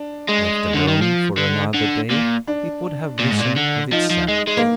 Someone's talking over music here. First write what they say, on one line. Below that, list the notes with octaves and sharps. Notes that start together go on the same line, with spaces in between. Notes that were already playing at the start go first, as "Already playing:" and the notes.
Left alone for another day it would have risen of itself.
Already playing: D4
G#3
D3
D#3
F3
D3
D3
A#2
D4
A#2
G#2
A#2
D3
F3 D#4
F3
G#3
G#3
A#3